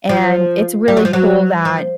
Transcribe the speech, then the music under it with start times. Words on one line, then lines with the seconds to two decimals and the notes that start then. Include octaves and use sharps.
and it's really cool that
0.09 F3
0.88 G3
0.97 F#3
1.05 F3
1.13 F#3
1.65 F3